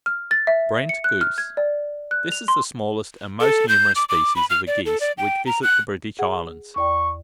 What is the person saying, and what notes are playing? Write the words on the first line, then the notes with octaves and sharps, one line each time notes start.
THE BRENT GOOSE.--This is the smallest and most numerous species of the geese which visit the British islands.
F6
A6
E5
C#7
F#6
F6
G#6
D5
F#6
F7
C6
A4
G6
D6
D6
B5
F6
D5
A4
D5
G5
A#5
F#6
G#4 F#5
E2 D5 G5 C#6